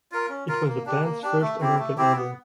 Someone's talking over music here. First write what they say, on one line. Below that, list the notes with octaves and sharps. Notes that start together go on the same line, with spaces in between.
It was the band's first American album.
F4 A#4
C#4
F4 A#4
A#3
D4 G4
A#3
D4 G4
A3
C4 E4 G4
A3
C4 E4 G4
B3